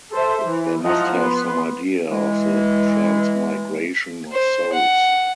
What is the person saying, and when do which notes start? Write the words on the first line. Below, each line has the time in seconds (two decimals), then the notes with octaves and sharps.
They must have some idea of the transmigration of souls.
0.12 A4 C5 E5
0.45 E3
0.83 F3 E4 D#5 F#5 A#5
1.13 B3 B4 C6
2.11 E3 G#3
4.33 C5
4.74 F#5